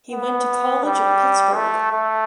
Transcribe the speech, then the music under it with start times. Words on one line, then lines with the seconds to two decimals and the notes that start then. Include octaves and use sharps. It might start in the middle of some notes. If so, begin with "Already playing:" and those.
He went to college at Pittsburgh.
0.12 B3
0.84 G3
1.56 A3
1.93 A3